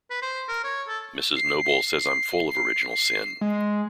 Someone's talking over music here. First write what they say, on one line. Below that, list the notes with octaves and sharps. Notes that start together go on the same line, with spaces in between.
Mrs. Noble says I’m full of original sin.
B4
C5
A#4
C#5
A4
C7
G#3